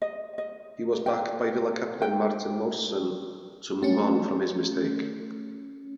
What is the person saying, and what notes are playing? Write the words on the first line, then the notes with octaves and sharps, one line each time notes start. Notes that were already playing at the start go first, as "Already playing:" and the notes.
He was backed by Villa captain Martin Laursen to move on from his mistake.
D#5
D#5
G5
G5
A3 C#4